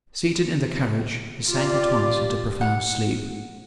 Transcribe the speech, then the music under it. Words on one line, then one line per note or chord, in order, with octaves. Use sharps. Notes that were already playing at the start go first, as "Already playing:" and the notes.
Seated in the carriage, he sank at once into profound sleep.
F4 G4 D5
F#5